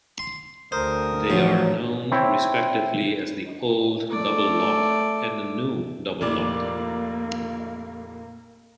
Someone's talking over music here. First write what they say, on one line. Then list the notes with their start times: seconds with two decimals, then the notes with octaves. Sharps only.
They are known respectively as the Old Double Lock and the New Double Lock.
0.19 C6
0.72 D2 A#4 C5 D#6
1.30 A1 F3 F#3
2.12 C4 E4 C#5 G5
4.10 A3 D5
6.21 F1 A#2 A#3 D5